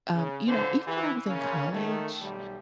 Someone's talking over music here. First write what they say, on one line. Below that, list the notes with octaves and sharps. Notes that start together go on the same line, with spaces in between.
um, you know, even when I was in college,
C#3
C#2 D3 E3 C5
E3
C#3 A#3 C#4
D#3 A3
B1 G3